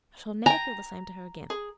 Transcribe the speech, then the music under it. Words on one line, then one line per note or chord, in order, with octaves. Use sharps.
I shall never feel the same to her again.
G5 G#5 A#5
G#4